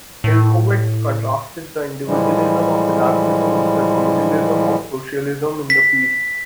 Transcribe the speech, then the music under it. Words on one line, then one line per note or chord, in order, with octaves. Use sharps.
Hillkowitz contrasted the individualism of anarchism with the communalism of socialism in the piece.
A2
A2 E3 F3 G3 G#3
B6